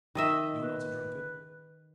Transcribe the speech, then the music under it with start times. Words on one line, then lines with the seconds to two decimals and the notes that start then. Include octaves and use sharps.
You're not a drunkard!
0.15 D#3 D#5 E5
0.62 B4